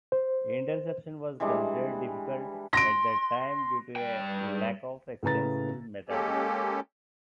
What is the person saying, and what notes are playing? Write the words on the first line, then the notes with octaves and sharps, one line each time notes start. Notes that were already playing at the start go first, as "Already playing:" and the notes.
Interception was considered difficult at the time due to a lack of extensible metadata.
C5
E3 G3 G#3 D4
C6 A#6 D7
G2 G5
A2 C#3 B4 A#5 A6
G#3 A#3 C#4 G4 A4